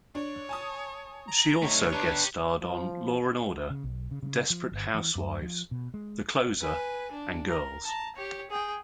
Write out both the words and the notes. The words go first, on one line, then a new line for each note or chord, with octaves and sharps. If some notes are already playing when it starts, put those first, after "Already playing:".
She also guest-starred on "Law and Order", "Desperate Housewives", "The Closer", and "Girls".
D4 C#5
G#5 A5 D#6
A#5
D#3 A3 C#5
D4 G4 B4 A#5
F3
C#3
B1
C#3
C#3
F3
G1
E3
F#2
F3
B2
G#3
B4 G#5
D4
A#4
A5 A#5
G4 C#5
G#4 G5